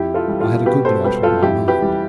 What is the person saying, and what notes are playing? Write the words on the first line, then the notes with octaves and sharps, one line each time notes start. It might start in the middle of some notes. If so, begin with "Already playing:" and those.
I had a good lot on my mind.
Already playing: F2 E4 G4
F4 A4
E3 G3
F4 A4
B2 G4 B4
A4 C5
G3 G4 B4
F4 A4
F2 E4 G4
G4 B4
E3 G3